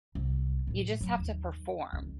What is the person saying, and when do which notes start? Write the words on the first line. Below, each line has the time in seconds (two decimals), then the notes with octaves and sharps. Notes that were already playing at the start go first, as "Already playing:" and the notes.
you just have to perform.
0.15 C2
0.67 A2 F#3
1.01 F#3
1.19 D#2
1.93 C#2